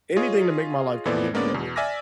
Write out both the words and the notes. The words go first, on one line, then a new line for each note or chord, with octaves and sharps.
anything to make my life convenient, I love it,
F4 G#4 C#5 D#5
F2 E3 B3 A4 C5 D5
D3 G#3 A#3 B3 C#4 D5
E2 B2
D5 E5 G#5 D6 F6 A#6